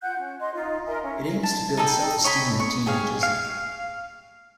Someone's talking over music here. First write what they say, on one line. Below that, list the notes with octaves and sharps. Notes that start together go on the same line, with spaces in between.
It aims to build self-esteem in teenagers.
F4 F#5 F#6 G6
C#4
D#5 C6
D#4 F4 D#5 F5
A#4 E5 G#5 C6
C#4 E5
A5
D#4 G#4 A4 G5
C#5 D#5 G#5 B5
C#6
G4 G#4 C#5 F5
F5